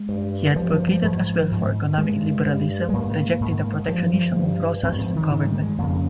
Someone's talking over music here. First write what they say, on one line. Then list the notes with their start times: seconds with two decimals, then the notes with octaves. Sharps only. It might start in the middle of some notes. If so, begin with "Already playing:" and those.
He advocated as well for economic liberalism, rejecting the protectionism of Rosas' government.
Already playing: G#3
0.09 G2
0.56 G2 F3
0.72 F3
0.87 F3
1.03 G#2
1.51 G#2
1.98 G2 G#3
2.46 G2
2.89 G#3
2.93 G#2 A#3
3.41 G#2
3.88 G2 F3
4.35 G2
4.83 G#2 C4
5.00 F3
5.15 D#3
5.31 G#2 D#3
5.42 G#3
5.47 G3
5.62 G#3
5.78 F2 C#3 A#3